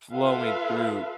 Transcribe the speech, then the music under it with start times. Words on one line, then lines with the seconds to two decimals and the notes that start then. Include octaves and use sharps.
flowing through
0.12 F4 A4 B4 E5 F5